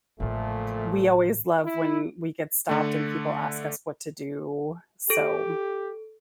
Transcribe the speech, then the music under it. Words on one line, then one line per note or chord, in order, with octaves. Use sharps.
we always love when we get stopped and people ask us what to do. So,
A1 A#2 C#3 F3 A3
E4
D3 A3
G4 A4 D7